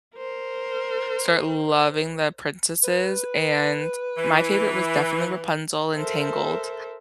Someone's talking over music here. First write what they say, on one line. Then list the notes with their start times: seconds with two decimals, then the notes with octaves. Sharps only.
start loving the princesses, and my favorite was definitely Rapunzel in Tangled,
0.16 A#4 C5
2.84 B4
4.17 E3
5.94 A4 A#4 C5 E5